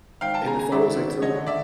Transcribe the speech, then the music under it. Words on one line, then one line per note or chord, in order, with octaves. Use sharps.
and the photos I took
G#1 F5 G5
G5 A5
C#3 G#5 A#5
G#5 A#5
G#1 D5 E5
G#1
D3 C#5 D#5
D3 D5 E5